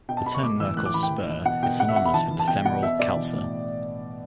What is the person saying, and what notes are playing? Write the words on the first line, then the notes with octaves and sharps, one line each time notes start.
The term "Merkel's spur" is synonymous with the femoral calcar.
B2 G5
A5
B2 B5
C#6
A2 D6
E3 E6
A2 F#6
D6
E3 B5
G5
E3
E3
B2 F#5
B2 G5
B2 F#5
E5
B2 F#5
B5
E3 A5
E3
A5
B2 G5
B2 F#5
B2 E5
B2 D5
E3
A2